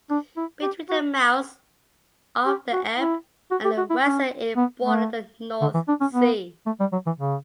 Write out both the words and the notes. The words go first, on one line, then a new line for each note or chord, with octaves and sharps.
Between the mouths of the Elbe and the Weser it bordered the North Sea.
D4
E4
G4
F#4
G4
F#4
E4
F#4
G4
F#4
E4
C#4
B3
A3
D3
E3
D4
C#4
B3
A3
G3
F#3
E3
C#3